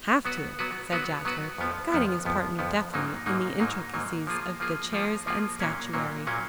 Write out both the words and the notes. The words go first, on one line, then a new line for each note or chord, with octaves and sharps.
"Have to," said Jasper, guiding his partner deftly in the intricacies of the chairs and statuary.
F#3 B3 F#4 B4
F#3 B3 F#4 B4
F#3 B3 F#4 B4
F#3 B3 F#4 B4
F2 F3 B3
F2 F3 B3
F2 F3 B3
F2 F3 B3
G#2 F#3 A#3 D#4
G#2 F#3 A#3 D#4
G#2 F#3 A#3 D#4
G#2 F#3 A#3 D#4
F3 A#3 F4 G#4
F3 A#3 F4 G#4
F3 A#3 F4 G#4
F3 A#3 F4 G#4
A#2 F#3 A#3 C#4
A#2 F#3 A#3 C#4
A#2 F#3 A#3 C#4